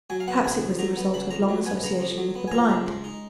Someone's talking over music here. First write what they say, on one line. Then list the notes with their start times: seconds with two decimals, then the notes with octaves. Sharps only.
Perhaps it was the result of long association with the blind.
0.10 F#3 G#5
0.20 F5
0.28 B3 F#5
0.44 C#3 G#5
0.62 F2
0.79 F#3 A#5
0.97 B3
1.14 C#3 B5
1.31 F2 A#5
1.49 F#3
1.66 B3 G#5
1.84 C#3 A#5
2.00 F2
2.18 F#3
2.35 B3
2.48 G#5
2.52 F3 A#5
2.69 C#3
2.86 G#3
3.04 D#4